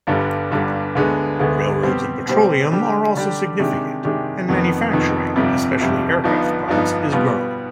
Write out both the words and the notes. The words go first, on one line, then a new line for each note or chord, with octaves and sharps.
Railroads and petroleum are also significant, and manufacturing, especially aircraft parts, is growing.
G1 G2 D3 G3
G1 G2 D3 G3
D2 D3 G#3 B3
D2 D3 G#3 B3
B2 G3 C4 G4 C5
B2 G3 C4 G4 C5
D3 G3 D4 G4
D3 G3 D4 G4
C3 D#3 G#3 D4 G4
C3 D#3 G#3 D4 G4
F1 F2 D#3 B3 D#4
F1 F2 D#3 B3 D#4
G1 F2 C3 G3
G1 F2 C3 G3
G1 G2 F3 B3 D#4
G1 G2 F3 B3 D#4
B2 G3 B3 F4